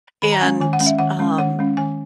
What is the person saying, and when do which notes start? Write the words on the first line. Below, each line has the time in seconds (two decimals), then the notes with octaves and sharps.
and, um,
0.22 D#3 B5
0.32 A#5
0.41 G#3 C#4 G#5
0.60 D#3 G#5
0.73 F#5
0.80 G#3 C#4
0.86 E5
0.99 D#3 F#5
1.19 G#3 C#4
1.38 D#3 F#5
1.59 G#3 C#4
1.77 D#3 G#5